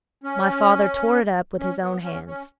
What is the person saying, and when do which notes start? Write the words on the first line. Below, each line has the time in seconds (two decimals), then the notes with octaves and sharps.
My father tore it up with his own hands.
0.24 C#4
1.59 C#4
1.81 B3
2.04 C#4
2.27 C#4